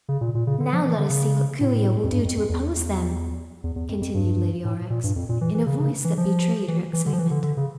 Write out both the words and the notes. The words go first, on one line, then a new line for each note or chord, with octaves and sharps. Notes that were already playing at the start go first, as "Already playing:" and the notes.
"Now let us see what Coo-ee-oh will do to oppose them," continued Lady Aurex, in a voice that betrayed her excitement.
C#3
A#2
A#2
C#3
D3
F3
E3
D3
C#3
A2
F2
G2
F2
F2
E2
E2
E2
F2
F2
G2
A2
A#2
G2
F2
A#2
E3
E3
C#3
C#3
E3
F3
E3
E3
D3
F3
E3
D3
D3
C#3